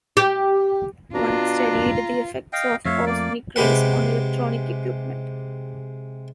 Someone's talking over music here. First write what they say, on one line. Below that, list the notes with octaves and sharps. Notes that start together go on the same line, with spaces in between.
One studied the effects of cosmic rays on electronic equipment.
G4
B2 D4 F4 A#5
D#5 F5 G5
F2 A3 C#5 E5 F5
A#3 D5
C3 G#3 G4 B4 F#5